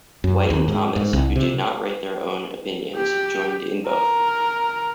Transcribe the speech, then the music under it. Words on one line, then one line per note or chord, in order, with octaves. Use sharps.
White and Thomas, who did not write their own opinions, joined in both.
F#2
D#2
G#2
G#2
C2
C3
G4
A#4